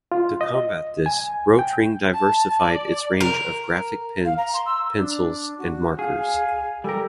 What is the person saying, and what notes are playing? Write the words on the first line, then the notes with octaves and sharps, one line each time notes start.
To combat this, Rotring diversified its range of graphic pens, pencils and markers.
F4
D#5
G#5
G5
A5
D5
A#4
F5
A#5
C6
E6
D4
F#4
G#4 F5 G#5
G3 G4 A4 A#4